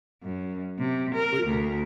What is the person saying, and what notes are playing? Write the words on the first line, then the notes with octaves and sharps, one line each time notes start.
Wa u
F#2
C3
A#4
D2